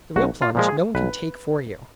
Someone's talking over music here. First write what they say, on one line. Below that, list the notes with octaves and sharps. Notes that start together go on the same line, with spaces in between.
The real plunge no one can take for you.
B1 F#4
F4
A#2 F3 G#3
G#4
B1 B4